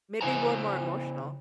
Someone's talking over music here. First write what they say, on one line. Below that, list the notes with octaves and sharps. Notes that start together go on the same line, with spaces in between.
maybe we're more emotional.
C#3 E4 C5 G#5 A#5